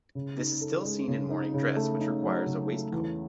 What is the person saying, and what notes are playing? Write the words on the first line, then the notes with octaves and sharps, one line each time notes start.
This is still seen in morning dress, which requires a waistcoat.
C#3
D#4
A4
G#3
C#3
D#4
C#3
A3
D#4
F#3
C#3
A3
E2